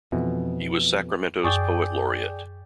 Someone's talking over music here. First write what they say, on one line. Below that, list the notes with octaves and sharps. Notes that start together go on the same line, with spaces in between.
He was Sacramento's poet laureate.
F2 B2 E3
F#2 G#4 D5 G5 C#6